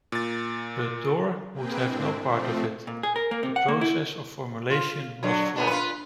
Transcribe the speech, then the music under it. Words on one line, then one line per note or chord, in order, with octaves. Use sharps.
But Dorr would have no part of it; the process of formulation was flawed.
A#2 A6
A#3 C4 G#4 B4 G5
G#2 C3 G#3 C4 D4 E4
F3 A3 C4
A#2
G#4
A#4
A#3
C3
F#5
A#3
E4
F4
D3 F#3
A#2 B3 D4
F4 B4